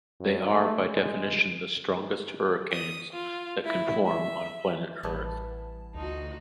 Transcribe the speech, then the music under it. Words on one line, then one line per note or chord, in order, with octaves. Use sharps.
They are by definition the strongest hurricanes that can form on planet Earth.
F#2
A3
G#3
D#6
F4
E4
E5
A1 E3 G3 B3 A5
D2 D#4 F4 F#4